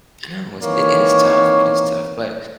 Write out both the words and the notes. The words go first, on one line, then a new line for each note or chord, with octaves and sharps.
I know, it's it is tough. It is tough, but
D#3 E3 A#3 C4 C#5